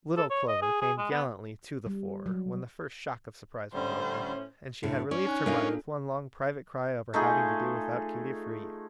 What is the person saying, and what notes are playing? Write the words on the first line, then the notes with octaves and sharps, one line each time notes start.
"Little Clover" came gallantly "to the fore" when the first shock of surprise was over, and she had relieved her mind with one long private cry over having to do without Katy for a year.
A4
C#5
D#5
G#4
G#4
G#3
B3
G3
F#3
A2 D3 G3 C#4 C5
D2 A2
C#4 D5
D#4 G#5 F#6
A#3 D4 D#4 F4 A4 F5
A3 D#4 F4 G#4